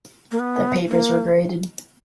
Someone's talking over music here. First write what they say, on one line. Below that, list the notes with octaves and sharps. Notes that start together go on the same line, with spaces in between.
The papers were graded.
A#3
B3
A#3